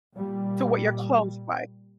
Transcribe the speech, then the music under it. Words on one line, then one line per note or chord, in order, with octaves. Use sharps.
to what your clothes like.
A#2 G3